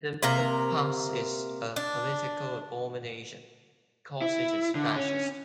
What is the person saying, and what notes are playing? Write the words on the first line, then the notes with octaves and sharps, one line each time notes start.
The middle class is a political abomination, because it is fascist.
C3 A#3 A#4 A#5
D4
E4
D3
C#4